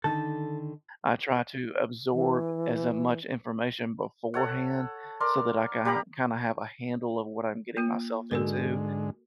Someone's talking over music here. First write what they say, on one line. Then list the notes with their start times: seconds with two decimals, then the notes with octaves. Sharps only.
I try to absorb as a much information beforehand so that I ki kinda have a handle of what I'm getting myself into
0.04 D3 D#3 D#4 A4
2.13 E3
4.34 A4 C#5 F#5
5.20 A#4 D5 C6
5.85 G3 G4 A#5 B5
7.77 A#3 F4
8.31 G#2 D3 G#3 F#4 A4 A#4